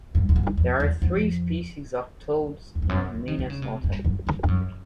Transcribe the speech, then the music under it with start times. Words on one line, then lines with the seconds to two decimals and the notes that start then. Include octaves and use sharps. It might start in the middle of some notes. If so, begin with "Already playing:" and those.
There are three species of toads in Minnesota.
0.15 G2
0.29 F#2
0.36 G2
0.57 F2
0.80 E2
1.02 F2
2.75 F#2
2.82 F2
2.89 F#2
3.15 E3
3.28 D#3
3.39 D3
3.50 C#3
3.62 C3
3.84 G2
4.05 F#2
4.27 F2
4.44 G2
4.48 F#2